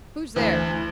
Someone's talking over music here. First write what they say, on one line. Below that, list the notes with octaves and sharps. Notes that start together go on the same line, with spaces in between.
"Who's there?"
D2 E3